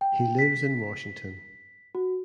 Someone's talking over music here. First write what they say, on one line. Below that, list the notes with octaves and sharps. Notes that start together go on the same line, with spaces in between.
He lives in Washington.
G5
B6
F#4